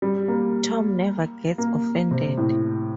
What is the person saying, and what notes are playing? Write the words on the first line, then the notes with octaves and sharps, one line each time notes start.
Tom never gets offended.
G3
A#3
A#3
C3
A2